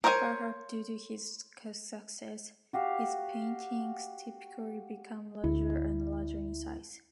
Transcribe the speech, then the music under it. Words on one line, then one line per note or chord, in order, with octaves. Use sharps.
Perhaps due to his success, his paintings typically became larger and larger in size.
A#4 C5 C#5 F5 G#5
F#4 G4 F5
D2 E4